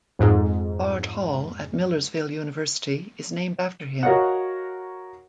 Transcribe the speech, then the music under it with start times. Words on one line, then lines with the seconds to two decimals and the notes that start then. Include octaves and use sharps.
Bard Hall at Millersville University is named after him.
0.19 F2 G#2
4.03 F#4 A#4 C#5 D#5 F5 F#5